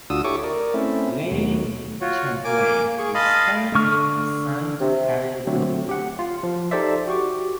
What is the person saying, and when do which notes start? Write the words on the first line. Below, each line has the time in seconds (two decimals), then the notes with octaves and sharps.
"Lake Champlain" is currently assigned to Carrier Group One.
0.10 D2 D4 F4 F#4 D#6 E6
0.24 E4 G4 A4 C#5 C#6 D6
0.44 A#4 D5
0.74 A3 C4 C#4 E4
1.31 D#2 B2 F#3
2.01 F4 F#4 C#5
2.44 A#3 G#5 D6
2.98 G#4 C#6
3.15 D#5 F5 A5 B5 C6 D#6
3.75 D3 C#6 F6
4.81 C3
5.47 D3 F#3 A3 C4
5.89 G4 F#5
6.19 F4
6.43 F3
6.71 D#4 G4 A4 C5 D5 E5
7.08 F#4 G4 C#6 D6